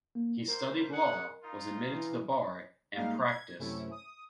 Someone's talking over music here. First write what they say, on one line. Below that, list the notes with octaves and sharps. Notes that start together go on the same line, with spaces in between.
He studied law, was admitted to the bar, and practiced.
A#3
G3 A#3 A#4 C5
G#4 F#5
D#4 F4
E3
G#1 G3 G#3 A#3 D#4 F5
G#6
F#2 C3 A3 C#4 E4
D#6